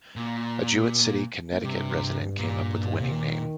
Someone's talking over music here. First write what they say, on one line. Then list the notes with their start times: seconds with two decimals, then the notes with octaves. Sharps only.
A Jewett City, Connecticut resident, came up with the winning name.
0.16 A#2
1.52 A#2
1.64 G2 C3
2.38 A#2
3.01 C3
3.11 D#3